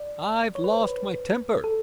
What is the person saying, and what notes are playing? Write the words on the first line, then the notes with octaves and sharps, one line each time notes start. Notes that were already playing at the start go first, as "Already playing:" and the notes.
I've lost my temper.
Already playing: D5
C#5
B4
C5
B4
A4